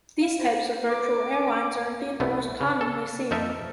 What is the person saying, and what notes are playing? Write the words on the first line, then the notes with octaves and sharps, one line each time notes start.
These types of virtual airlines are indeed the most commonly seen.
F5
C5
B4 D6
C2 A3 B3
C#3
A4
F2 D#4 A4 A#4 E5